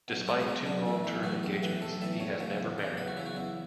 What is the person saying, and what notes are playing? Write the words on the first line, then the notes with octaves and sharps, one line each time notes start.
Despite two long-term engagements, he has never married.
B2 F#3
C#2 A4
G#4
B2 F#3
B1 D4
A2 E3 E4
B1 E4
A2 E3 F#4
B1 G#4
A2 E3 B4
B1 A4
A2 E3 E5
E2 C#5
C#3 F#3
E2
C#3 F#3
E2 B4
F#4
C#3 F#3 E4
F#4
E2 E4